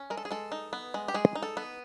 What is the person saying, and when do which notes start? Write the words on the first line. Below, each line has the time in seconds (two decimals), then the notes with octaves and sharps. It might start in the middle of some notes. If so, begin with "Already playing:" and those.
Sometimes several towns united to hold one in common.
Already playing: C#4
0.10 G#3 A#4
0.17 A4
0.25 G#4
0.31 G#3 A4
0.52 D#4
0.73 B3
0.94 G#3
1.08 G4
1.14 G#3 G#4
1.35 D#4
1.43 A4
1.57 B3